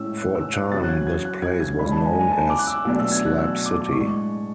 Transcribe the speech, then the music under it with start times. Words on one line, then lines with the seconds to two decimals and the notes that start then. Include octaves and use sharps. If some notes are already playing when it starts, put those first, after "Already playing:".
For a time this place was known as "Slab City".
Already playing: A2 G#3 C#4 E6
0.17 F#6
0.35 E6
0.53 F#6
0.71 C#3 F#3 C#4 A6
0.84 F#6
0.89 G#6
1.07 G#6
1.25 F#6
1.42 G#6
1.60 G#6
1.79 C#3 G#3 D4 B5
1.92 A5
2.05 G#5
2.19 G#5
2.32 A5
2.50 D6
2.59 F#6
2.67 E6
2.85 B2 F#3 A3 D4 E6
2.99 E6
3.12 G#6
3.26 F#6
3.38 E6
3.66 D6
3.81 D6
3.92 A2 G#3 D4 C#6